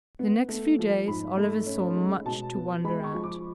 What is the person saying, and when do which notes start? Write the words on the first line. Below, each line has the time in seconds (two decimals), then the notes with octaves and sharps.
The next few days Oliver saw much to wonder at.
0.19 B3
0.48 A3
0.79 F3
1.08 G#2 B5
1.37 A3
1.66 C#4
1.96 G#3
2.25 B2 A5
2.55 B3
2.84 G#3 B5
3.04 C#6
3.14 F3
3.24 D6